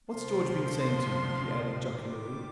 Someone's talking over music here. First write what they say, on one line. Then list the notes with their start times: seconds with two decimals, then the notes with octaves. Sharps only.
What's George been saying to you?' he added jocularly.
0.12 D2 C3 F3 C6
2.00 G#2 D#3 G3 D6